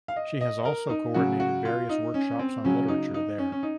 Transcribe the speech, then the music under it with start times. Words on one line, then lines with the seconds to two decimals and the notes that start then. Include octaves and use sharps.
She has also coordinated various workshops on literature there.
0.08 F5
0.16 D#5
0.41 D#5
0.65 A#4
0.90 D#4
1.14 C#3 F#3 F#4
1.40 F#4
1.65 F4
1.89 D#4
2.14 C#4
2.39 C4
2.64 C#3 F#3 C#4
2.88 D#4
3.14 D#4
3.38 C#4
3.52 C#4
3.63 D#4